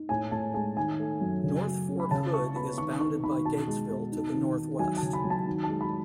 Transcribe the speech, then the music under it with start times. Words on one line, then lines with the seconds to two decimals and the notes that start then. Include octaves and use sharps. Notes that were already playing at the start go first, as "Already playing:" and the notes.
North Fort Hood is bounded by Gatesville to the northwest.
Already playing: D#4
0.09 A2 G#5
0.31 A2 A5
0.54 G#3 G#5
0.76 D#3 G#5
1.00 A3
1.21 F#2
1.44 C#3
1.67 F#3
1.89 C#4
2.00 B5
2.11 C#3 A5
2.34 E4 C#6
2.56 B3 B5
2.78 D#3 C#6
3.00 D#4 C#6
3.24 D#3 B5
3.45 B2 A5
3.68 G#3
3.91 B2
4.12 D#4
4.34 D#3
4.57 D#3
4.79 F#3 G#5
4.97 A5
5.02 C#3
5.13 B5
5.25 F#3
5.30 A5
5.46 D#3
5.64 A5
5.69 G#3
5.81 B5